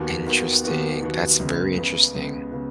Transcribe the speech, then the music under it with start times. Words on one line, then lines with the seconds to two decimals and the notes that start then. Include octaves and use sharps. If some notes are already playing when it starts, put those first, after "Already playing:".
Interesting, that's very interesting.
Already playing: D#2 D#3 B3 F#4
0.26 D#2 D#3 B3 F#4
0.64 D#2 D#3 B3 F#4
1.02 D#2 D#3 B3 F#4
1.39 C#2 C#3 B3
1.77 C#2 C#3 B3
2.15 C#2 C#3 B3
2.52 C#3 B3